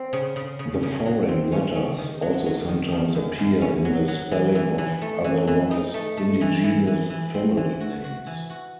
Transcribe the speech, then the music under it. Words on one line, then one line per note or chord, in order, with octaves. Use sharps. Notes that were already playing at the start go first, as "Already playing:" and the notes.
The "foreign" letters also sometimes appear in the spelling of otherwise-indigenous family names.
Already playing: C4
C#3
C#3
C#3
C#3
F#3
C4
C#4
C#4
D#3
F#3
F#3
D#3
D#3
F#2
F#2
C#4
F#3
F#3
E3
E3
E3
A3
E3
E3
D#4
A3
A3
E3
E3
E3
E3
C4
E3
F#4
F#4
E3
F#4